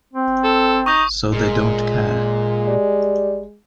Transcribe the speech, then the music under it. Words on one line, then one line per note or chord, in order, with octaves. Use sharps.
So they don't care.
C4
A4
D#4 C#6 D#6 G6
A#2 G#3
G3